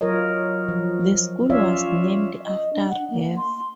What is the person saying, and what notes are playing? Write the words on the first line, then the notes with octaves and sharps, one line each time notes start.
The school was named after Rev.
F#3 F4 A#4 C#5 D#5
F3
C#4 F4 C#5 D5 E5 F5
D#5
D4
F#5
A#3
C6